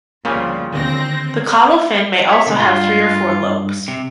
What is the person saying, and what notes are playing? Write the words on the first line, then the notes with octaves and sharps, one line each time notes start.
The caudal fin may also have three or four lobes.
D2 A#2 C#3 F3 G3 A#3
D#2 D3 C4 A#6
C#5 E5
B2 D3
G2 F4
C3